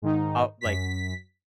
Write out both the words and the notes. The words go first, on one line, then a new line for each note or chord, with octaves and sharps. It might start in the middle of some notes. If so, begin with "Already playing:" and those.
up like,
G#2 D#3 D#4
F#2 B6